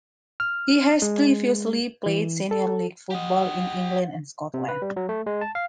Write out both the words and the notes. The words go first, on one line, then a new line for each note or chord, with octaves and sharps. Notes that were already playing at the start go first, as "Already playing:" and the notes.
He has previously played senior league football in England and Scotland.
F6
G#3
E3
A4
G4 D#5 F#5
C3
B4
G3
F#3
A3
G#3
A5
F5